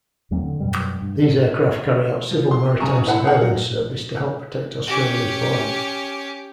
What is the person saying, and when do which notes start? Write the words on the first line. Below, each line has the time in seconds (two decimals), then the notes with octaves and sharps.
These aircraft carry out civil maritime surveillance service to help protect Australia's borders.
0.31 E2 F#3 A#3 C4
0.43 D3
0.60 F#2 B2 F#3 G3
1.01 G2
2.31 F3
2.51 C6
2.80 C#3 G#5 A#5 C#6
3.07 E4 C5 F#5 A5 B5
3.24 G#4 F5 F#5
3.42 F#3
4.87 C#4 G4